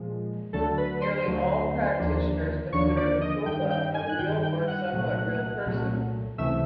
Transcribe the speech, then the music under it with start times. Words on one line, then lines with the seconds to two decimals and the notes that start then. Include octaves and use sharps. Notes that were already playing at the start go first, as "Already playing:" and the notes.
Nearly all practitioners consider the tulpa a real or somewhat-real person.
Already playing: A#2 F3 G#3
0.53 D2 D3 F#3 A3 A4 A5
0.78 B4 B5
1.02 C5 C6
1.26 D2 D3 F#3 A3
2.00 D#2 D3 F3 A#3 D4
2.73 D#2 D3 F3 A#3 D4 C#5 C#6
2.97 D5 D6
3.21 D#5 D#6
3.46 G2 D#3 G3 G5 G6
3.70 G5 G6
3.94 G#5 G#6
4.09 F#6
4.19 G2 D#3 G3 G5 G6
4.43 G5 G6
4.68 F#5 F#6
4.92 C2 A#2 F#3 A3
5.65 C2 A#2 F#3 A3
6.38 C#2 C3 E3 A3 E5 E6